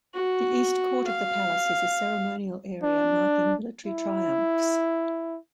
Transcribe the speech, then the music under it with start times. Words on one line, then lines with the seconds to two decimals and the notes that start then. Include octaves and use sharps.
The east court of the palace is a ceremonial area marking military triumphs.
0.14 F#4
1.07 F5
2.84 D4
3.86 E4